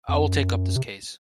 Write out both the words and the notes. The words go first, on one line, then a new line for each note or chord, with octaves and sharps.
I will take up this case.
F2
F#2
C3